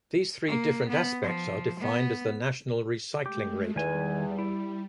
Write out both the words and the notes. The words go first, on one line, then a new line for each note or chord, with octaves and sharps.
These three different aspects are defined as the National Recycling Rate.
A#3
B3
F3
B3
G#3 A3 G4
E2 D#3 G3 G#5
E4